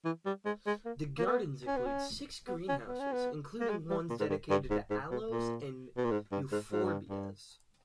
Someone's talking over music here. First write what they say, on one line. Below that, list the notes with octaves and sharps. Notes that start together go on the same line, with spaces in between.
The gardens include six greenhouses, including ones dedicated to aloes and euphorbias.
E3
G3
G#3
G#3
A#3
A#3
B3
C#4
B3
C#4
B3
C#4
B3
C#4
B3
A#3
G#3
G3
A#2
G#2
G2
G2
G#2
G#2
B2
A#2
B2
A#2
G#2
G2
G#2
G#2
G2
G2